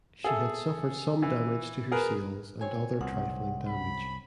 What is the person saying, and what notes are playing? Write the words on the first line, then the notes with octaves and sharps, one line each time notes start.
She had suffered some damage to her sails and other trifling damage.
G#4 A4 E5
E3
G#4 A#4 B4
C4 C#5 G#5
C2 F#5
B5